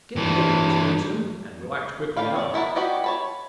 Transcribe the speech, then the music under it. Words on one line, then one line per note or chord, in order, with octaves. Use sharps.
"Get the evidence against him, and we'll act quickly enough."
G2 E3
D4 G4 F5 B5
C#5 D5
B3 E4 A#4 A5
E4 F#4 G4 D5 D#5
C#5 A5 B5